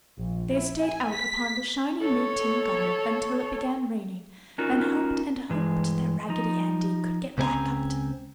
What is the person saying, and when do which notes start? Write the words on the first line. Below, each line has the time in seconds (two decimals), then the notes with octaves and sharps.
They stayed out upon the shiny new tin gutter until it began raining and hoped and hoped that Raggedy Andy could get back up to them.
0.18 A#1
0.51 E4
0.81 G#5
1.12 B6
2.02 A4 C#5
4.58 C#4 D#4 F4 F#4 A#4
5.49 G2 E3 G#3
6.29 F3 D#4
7.38 C#2 C#3 C4 D#4 G#5 A#5